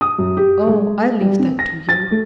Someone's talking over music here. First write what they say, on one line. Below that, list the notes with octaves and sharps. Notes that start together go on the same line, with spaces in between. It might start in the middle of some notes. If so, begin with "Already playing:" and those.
"Oh, I leave that to you."
D#6
F#2
G4
G#3
G3
C4
A#6
A6
A3